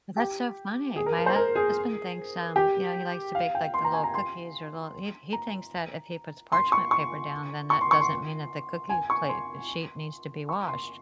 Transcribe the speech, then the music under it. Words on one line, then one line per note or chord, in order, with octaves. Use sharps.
That's so funny. My husband thinks, um, you know he likes to bake, like, the little cookies or little He he thinks that if he puts parchment paper down, then that doesn't mean that the cookie plate sheet needs to be washed.
G4
G#4
A#4
A#4
C5
A#4
G#4
G4
F5
G5
C6
A#5
G#5
A#5
C6
A#5
C6
C#6
C#6
C#6
C6
C#6
C6
G#5
C#6
C6
C#6
C6